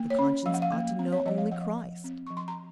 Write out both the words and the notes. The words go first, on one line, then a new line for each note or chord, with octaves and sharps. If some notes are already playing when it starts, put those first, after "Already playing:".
The conscience ought to know only Christ.
Already playing: A#3
C#5
C#4
F3 F5
F#5
F5
A#3
C4
C#5
F3 D#5
F5
F3 F#5
F3
C4
F3 C#6
C6
A#5